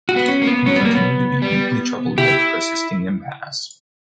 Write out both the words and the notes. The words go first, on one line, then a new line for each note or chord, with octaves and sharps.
We continue to be deeply troubled by the persisting impasse.
F#4
B3
C#4
A#3
B3
F#3 C#4
G3 B3
A#3
F#3 B3
G3
E4 G4